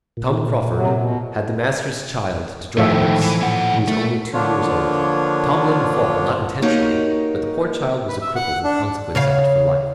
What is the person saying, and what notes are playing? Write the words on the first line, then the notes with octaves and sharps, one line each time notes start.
Tom Crauford had the master's child to dry nurse: he was only two years old: Tom let him fall, not intentionally, but the poor child was a cripple in consequence of it for life.
A#2
C3 F#3
B2
A2 D#3 F3 A3 E5
E3
A#2 F#5
A3
D3 F3 A#3 D4 F4 C#5
A#3 D#4 F#4 G4 C#5 D#5
B4
E5
F#5
D4
C#3 C#5 F5